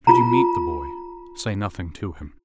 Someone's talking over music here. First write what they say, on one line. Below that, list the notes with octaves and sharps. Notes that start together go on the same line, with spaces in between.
"Should you meet the boy say nothing to him."
F4 A#5